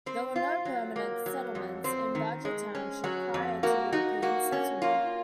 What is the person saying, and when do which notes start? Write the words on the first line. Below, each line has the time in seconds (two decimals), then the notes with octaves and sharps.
There were no permanent settlements in Badger Township prior to European settlement.
0.06 C4 C5
0.36 F4
0.65 F#3
0.96 A#3
1.26 F#3
1.55 F2
1.84 C4 C5
2.15 D#3
2.45 G#3
2.75 C#4
3.04 F#3 F#4
3.34 F2
3.63 A#3 F#4
3.92 D#4 F#4
4.22 A#3 F#4
4.52 C#4
4.82 A#3 F4